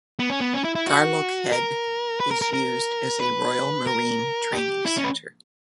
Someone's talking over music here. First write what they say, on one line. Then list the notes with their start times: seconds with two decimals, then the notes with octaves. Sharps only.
Garelochhead is used as a Royal Marine training centre.
0.19 B3
0.30 C#4
0.40 B3
0.53 C#4
0.64 E4
0.75 E4
0.87 F#4
1.52 A#4
2.20 B4
2.31 A#4
2.41 A#4
2.53 A#4
3.20 B4
3.87 A#4
4.53 G4
4.86 E4
4.97 C#4
5.04 B4